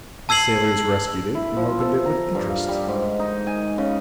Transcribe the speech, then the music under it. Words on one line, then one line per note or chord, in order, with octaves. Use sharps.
The sailors rescued it and opened it with interest.
A5 E6 G#6 C7 F#7
E4
F3
A4
A#5
G2
F5
G3
G#2
D#4
G#5
C#3